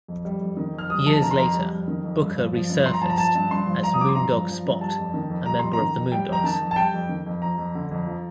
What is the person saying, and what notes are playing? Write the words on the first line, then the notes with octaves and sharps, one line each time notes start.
Years later, Booker resurfaced as "Moondog Spot", a member of The Moondogs.
F2
G3
F2
D#3
F2
F6
G3 D#6
F2 A5
D#3 A#5
C6
F2 A#5
G3
F2
D#3
F2
G2
F3
F3
G2
G2 C6
A#5
F3 A5
A#5
F3 A5
G2
G2 C6
F3
F3 A#5
D#6
G2 D6
C6
G2 A#5
F3
F3
G2
G3 A5
F2
D#3
F2
G3 A#5
F2 C6
A#5
D#3
F2
G3 G5
F2 A#5
D#3 A5
F2
A5
G3 G5
F2
D#3
F2
F3 A#5
F2
D3
F2
F3